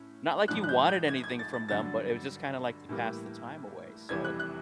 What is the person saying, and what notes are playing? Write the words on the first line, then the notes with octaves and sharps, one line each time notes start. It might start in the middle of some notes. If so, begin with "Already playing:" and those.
Not like you wanted anything from them, but it was just kinda like to pass the time away, so
Already playing: A2 C#4
A#1 G#2 F3 F#6
F#6
G6
G6
G#6
G#6
A6
A6
G2 D3 F#3 A6
A2 E3 G3 A#3
F1 E2 C3 E3 G3 G#6
F#6
F#6